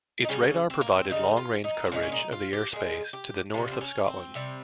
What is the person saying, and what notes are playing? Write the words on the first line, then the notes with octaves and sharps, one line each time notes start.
Its radar provided long-range coverage of the airspace to the north of Scotland.
D#4
C#3 G3 C#4
C4
A#3
C4
C#3 G3 D#4
F4
D#4
C4
A#2 G#3 C#4
C#4
D#4
F4
G4
A#2 G#3 G#4
G4
C3 G3 F4
C4
C#4
C4
C3 G3